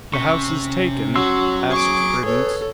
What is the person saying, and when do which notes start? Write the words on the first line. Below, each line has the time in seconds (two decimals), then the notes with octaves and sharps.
"The house is taken?" asked Prudence.
0.14 C3 C#4 C#6
1.15 F#3 F#4 C6 E6
1.71 G#4 C#6 D6
2.25 A4 B4 C#5